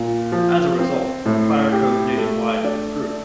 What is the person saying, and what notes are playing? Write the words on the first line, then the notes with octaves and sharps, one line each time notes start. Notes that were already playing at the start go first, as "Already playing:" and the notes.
As a result, fire codes nationwide were improved.
Already playing: A#2
F3
C4
A2
G4
A3
D4